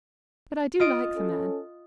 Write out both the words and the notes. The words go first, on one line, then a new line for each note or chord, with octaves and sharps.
But I do like the man.
F4 D#5 D7
C#4 A4